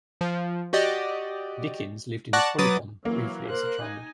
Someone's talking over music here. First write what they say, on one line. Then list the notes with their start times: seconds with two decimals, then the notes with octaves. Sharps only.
Dickens lived in the Polygon briefly as a child.
0.21 F3
0.73 F#4 G4 D5 D#5
2.33 D5 F#5 A5 C#6 F#6 A#6
2.58 F#3 B4 D6 D#6 A6
3.05 E3 F#3 A#3
3.48 A#4 C5 F#6
3.82 D#4 G#5